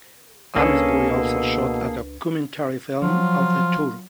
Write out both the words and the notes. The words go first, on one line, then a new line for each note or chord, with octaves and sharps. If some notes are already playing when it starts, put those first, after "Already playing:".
Amesbury also shot a documentary film of the tour.
C#2 A#3 C#4 D4 G#4 A4 B4
B2
F3 F#3 F4